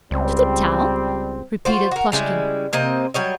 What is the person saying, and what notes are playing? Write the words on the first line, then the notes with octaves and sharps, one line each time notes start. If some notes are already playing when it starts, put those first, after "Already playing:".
"To the town?" repeated Plushkin.
C#2 G3 C4
F4 F#4 C5
F#4 A#4
C#3 G3 G#3 E4
C3 A#3 C4 D#5
F#3 G3 C#5 D#5